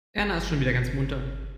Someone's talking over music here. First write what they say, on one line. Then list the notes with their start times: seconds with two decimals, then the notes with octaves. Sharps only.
Erna ist schon wieder ganz munter.
0.18 G1